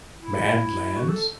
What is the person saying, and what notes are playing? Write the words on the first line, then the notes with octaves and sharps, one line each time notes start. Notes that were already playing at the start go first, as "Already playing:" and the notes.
Mad Lands?
E4
F#4
A4